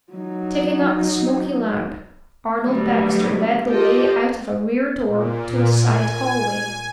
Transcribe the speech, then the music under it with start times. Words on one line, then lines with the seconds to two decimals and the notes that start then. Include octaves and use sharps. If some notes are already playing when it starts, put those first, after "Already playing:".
Taking up the smoky lamp, Arnold Baxter led the way out of a rear door to a side hallway.
0.13 F#3 D#4
2.62 D3 F#3 G3 A3 B3
3.70 F4 G4 A4 D#5
5.04 A#2
5.68 G#5